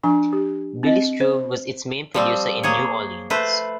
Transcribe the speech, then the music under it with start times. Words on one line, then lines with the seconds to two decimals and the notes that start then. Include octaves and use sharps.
Billy Struve was its main producer in New Orleans.
0.03 F3 D4 G#5 C#6
0.33 G4
0.83 C4 D#5
1.21 C5
2.14 F3 G3 C4
2.63 A#3 G#4 C#5
3.30 A3 B4 C5